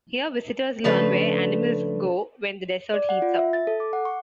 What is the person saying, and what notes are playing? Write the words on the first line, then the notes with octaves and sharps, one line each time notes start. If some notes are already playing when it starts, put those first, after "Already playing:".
Here visitors learn where animals go when the desert heats up.
C#3 F3 A3 D4 B4
D5
F#5
F4
E5
A6
A4
D6
F#5
C#6